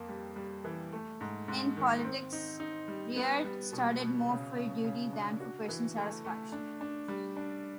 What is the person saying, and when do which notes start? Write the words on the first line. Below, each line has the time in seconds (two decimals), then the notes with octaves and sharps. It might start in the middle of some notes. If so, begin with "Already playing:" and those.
In politics, Riart started more for duty than for personal satisfaction.
Already playing: F2 A#3
0.08 G3
0.36 G3
0.64 E3
0.92 A3
1.21 G#2
1.48 G#2
1.77 D#3
2.04 C4
2.33 D#4
2.60 D#4
2.88 G3
3.16 B3
3.44 G3
3.72 B2
4.00 B2
4.29 C#3
4.56 C#3
4.84 C#3
5.13 D4
5.40 F#4
5.68 E3
5.97 A3
6.25 A3
6.52 D4
6.81 D4
7.08 G3
7.37 D4